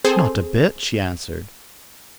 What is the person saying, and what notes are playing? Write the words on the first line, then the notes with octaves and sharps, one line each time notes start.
"Not a bit," she answered.
C4 G#4 A4 C5